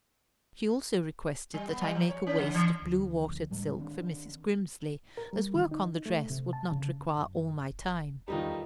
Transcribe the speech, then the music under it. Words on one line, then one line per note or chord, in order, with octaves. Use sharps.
She also requested that I make a waist of blue watered silk for Mrs. Grimsly, as work on the dress would not require all my time.
G3
B3
G3
F3
C#5
C#4
D3
E3
D2 F3
A2 G3 G#3
D#3 C4 D4
A#4
G3
D#3
D#4
A3
C3
A5
C#3
F#2
E1
E2 D#3 G3 D#4 F4 A4 B4